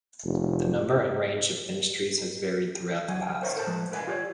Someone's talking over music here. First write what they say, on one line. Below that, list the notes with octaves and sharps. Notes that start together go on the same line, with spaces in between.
The number and range of ministries has varied throughout the past.
F1
C#2 F#3 G#5
A#4 C5 C#5 D#5 F5 A#5
A4 A#4 C5 A5
F3 G#3 B4
A#4 B4 F5 G5 G#5
F4 G4 A#4 C#5 D5